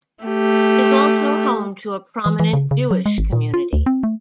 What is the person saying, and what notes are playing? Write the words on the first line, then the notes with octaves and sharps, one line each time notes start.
It is also home to a prominent Jewish community.
A3 G4
E3
E3
C#3
C#3
F#3
G#3
G#1
A#2
F4
D2
C4
A3